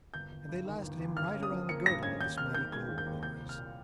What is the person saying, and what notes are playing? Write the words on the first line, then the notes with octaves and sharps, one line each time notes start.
And they lasted him right round the girdle of this mighty globe of ours.
G1 G6
G1
G2
D#3
G1
G1
G2 F6
C#4
D#6
F3
A#3 C#7
G2 A#6
C#4 G#6
D#2 G6
D#2 F6
D#3 G6
G#3 G#6
D#2
G6
D#2
C2 G6
C2
F6
A#2